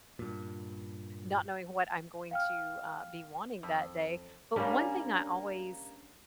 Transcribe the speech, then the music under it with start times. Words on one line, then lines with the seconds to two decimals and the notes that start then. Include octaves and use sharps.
not knowing what I'm going to, uh, be wanting that day. But one thing I always
0.19 G2 A#2
2.31 F5 G5 F6
3.63 F2
4.56 G3 A#3 C#4 D4